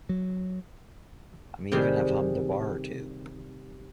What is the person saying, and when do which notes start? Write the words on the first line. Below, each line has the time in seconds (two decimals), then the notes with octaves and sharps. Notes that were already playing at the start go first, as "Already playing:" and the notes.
I may even have hummed a bar or two.
0.09 F#3
1.72 C3 D#3 G3 G#4